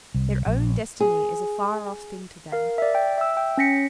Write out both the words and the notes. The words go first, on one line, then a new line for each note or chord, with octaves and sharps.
Their own destiny is a far-off thing to them.
C2
A#1
G#4
A#4 F5
D5 E5
G5
E5 E6
G5
C#4 C#5 A#6 B6 C#7